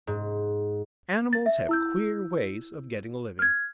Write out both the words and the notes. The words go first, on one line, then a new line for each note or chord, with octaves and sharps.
Animals have queer ways of getting a living.
G#2
A6
E5
E4 E6 G6
F6 G#6